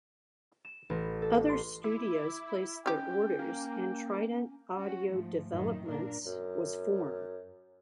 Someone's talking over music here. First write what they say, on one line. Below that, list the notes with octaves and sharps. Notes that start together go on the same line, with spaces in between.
Other studios placed their orders and Trident Audio Developments was formed.
E7
A1
A4
C6
E4 D6
C#4 D#4 G4 G5
A#3
C#4 F#4
G#2 F3 A3
F#2 A2 D#3 D#4
A#2 A#3 D4 A#4
F#2